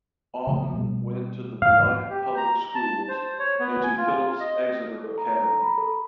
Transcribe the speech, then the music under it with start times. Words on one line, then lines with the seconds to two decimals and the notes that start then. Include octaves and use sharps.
Oughton went to the Dwight public schools and to Phillips Exeter Academy.
0.47 C#3 F3 A3
0.74 B2 G3
1.62 G#2 F5
2.10 G4
2.37 A#5
2.75 A5
3.09 C5
3.39 C#5
3.60 B3
3.83 G#5
3.97 F4
4.40 D#5
5.04 A4
5.18 A#5
5.36 A#5
5.62 B5
5.78 A4